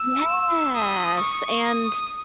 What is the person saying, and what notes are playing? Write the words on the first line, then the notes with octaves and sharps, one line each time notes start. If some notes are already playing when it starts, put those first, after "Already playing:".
Yes, and
Already playing: E6
D#6
C#6
D#6